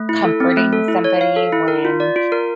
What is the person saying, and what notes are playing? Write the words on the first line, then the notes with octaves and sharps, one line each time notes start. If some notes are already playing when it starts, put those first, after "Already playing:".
comforting somebody when
Already playing: A3
E4
A4
C4
A3
A4
E4
C#5
F5
A4
E4
A#4
F4
D5
F4
A#4